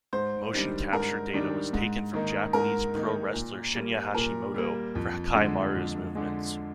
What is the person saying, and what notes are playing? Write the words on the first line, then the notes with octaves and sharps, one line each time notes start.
Motion capture data was taken from Japanese pro-wrestler Shinya Hashimoto for Hakaimaru's movements.
G#2 C5
D#3 G3 D4
G#2 A#4
D#3 G3 D4
G#2
D#3 A#3 D#4
G#2 A#4
D#3 A#3 D#4
A#2
G3 A#3
A#2 A#4
G3 A#3
F2
D3 G#3
F2
D3 G#3